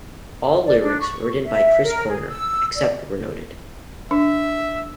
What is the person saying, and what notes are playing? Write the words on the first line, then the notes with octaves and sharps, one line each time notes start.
All lyrics written by Chris Corner, except where noted.
D5
D4
C#6
E5
A#4
G#4
E6
D5
D4 E5